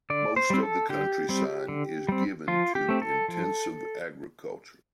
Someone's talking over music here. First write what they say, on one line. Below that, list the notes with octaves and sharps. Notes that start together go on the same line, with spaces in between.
Most of the countryside is given to intensive agriculture.
D3 D5
C5
G3 C4
A4
D3 G4
G3 C4
D3
G3 C4
F3 F4
G4
A3 C4
A4
F3